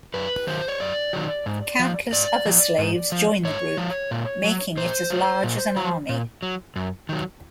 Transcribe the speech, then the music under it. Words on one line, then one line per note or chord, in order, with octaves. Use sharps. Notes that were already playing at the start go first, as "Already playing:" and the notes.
Countless other slaves join the group, making it as large as an army.
F#2 B4
D#3 F#3 C5
C#5
F#2 D5
D#3 F#3
G#2
F3
G#2 D5
F3
G#2
F3
G#2 C#5
F3
A#2
F#3
A#2 C5
F#3
A#2
F#3
A#2
F#3
F#2
D#3 F#3